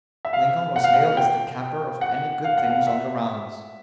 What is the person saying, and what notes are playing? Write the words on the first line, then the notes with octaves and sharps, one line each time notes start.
Lincoln was hailed as the "capper" of any "good things on the rounds."
E5
F5
F#5
F5
F#5
G5
F#5
F5
F#5
F5
E5